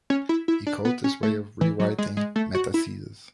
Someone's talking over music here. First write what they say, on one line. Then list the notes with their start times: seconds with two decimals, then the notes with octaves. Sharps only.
He called this way of re-writing "metathesis".
0.10 C#4
0.29 E4
0.48 E4
0.67 D4
0.85 B3
1.04 C#4
1.23 A3
1.61 E3
1.80 F#3
1.98 G#3
2.17 G#3
2.36 A3
2.55 F#4
2.74 E4